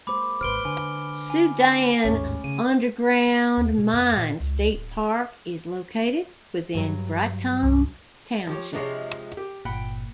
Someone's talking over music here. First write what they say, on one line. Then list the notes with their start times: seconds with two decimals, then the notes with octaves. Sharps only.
Soudan Underground Mine State Park is located within Breitung Township.
0.07 G#3 A#3 C5 B5 D6
0.41 D#1 G#1 B4 C5 F6 D7 G7
0.65 D3 G#5
1.30 G#5
2.04 A1 D#2 G#2 A3 C#4 C#5
2.44 C#3 D#7
3.57 D#2
3.78 B2
3.94 F2
4.17 A#2
4.40 C#2
4.74 D1
6.75 G2 F#3
7.63 C2
8.47 F3 G4 C#5
8.73 C3 F3 G#3 D4 G#4 C#5
9.37 G4
9.65 G1 A#2 F#5 G5 B5